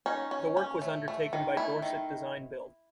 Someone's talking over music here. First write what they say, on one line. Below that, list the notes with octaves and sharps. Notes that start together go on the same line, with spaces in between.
The work was undertaken by Dorset Design Build.
C#4 D#4
C#4
C#4
A3
A3
D#3
A3 E4
D#3